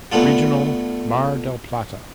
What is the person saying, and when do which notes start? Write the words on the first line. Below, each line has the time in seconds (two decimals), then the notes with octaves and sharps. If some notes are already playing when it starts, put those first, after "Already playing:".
Regional Mar del Plata.
0.12 A3 B3 D4 F4